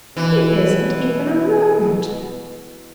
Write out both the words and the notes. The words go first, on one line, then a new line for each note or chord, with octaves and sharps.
He isn't even a Rodent.
B2 E3